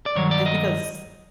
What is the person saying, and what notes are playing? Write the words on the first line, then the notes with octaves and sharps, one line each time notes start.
Is because
D5
G2 D#3 F#3 C#5
D5
D#5